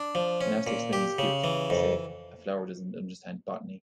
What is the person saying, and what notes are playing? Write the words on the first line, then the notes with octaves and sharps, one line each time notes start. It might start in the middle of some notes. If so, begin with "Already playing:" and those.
When asked to explain his gift he said, A flower doesn't understand botany.
Already playing: D4
F3
C#4
A#2
G4
C#3
E3
F2